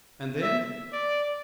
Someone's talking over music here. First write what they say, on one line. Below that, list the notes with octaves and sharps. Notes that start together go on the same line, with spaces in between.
"And then?"
E5
D5